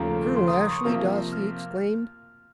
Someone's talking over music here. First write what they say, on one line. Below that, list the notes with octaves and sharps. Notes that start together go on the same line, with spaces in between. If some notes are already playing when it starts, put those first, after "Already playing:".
"Colonel Ashley!" Darcy exclaimed.
Already playing: D#2 C#3 F3 A3 A#5
C6
D#6
D#6
C#6
C3 F3 A#3 F4 A#4
F6